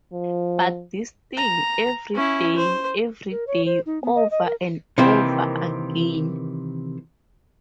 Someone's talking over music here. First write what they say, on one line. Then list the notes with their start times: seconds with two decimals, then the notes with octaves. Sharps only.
But this thing-every day, every day, over and over again.
0.13 F3
1.37 A#5
2.15 C#4 E4
2.56 C5
3.31 A#4
3.47 C#5
3.66 C5
3.86 D#4
4.03 B3
4.15 D#5
4.31 D#5
4.45 A#4
4.98 C3 D#3 E3 A#3 C4